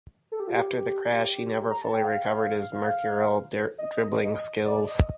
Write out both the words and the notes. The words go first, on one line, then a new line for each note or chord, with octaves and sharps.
After the crash he never fully recovered his mercurial dribbling skills.
A4
G4
F4
G4
A#5
A5
G5
F5
D#5
D5
D#5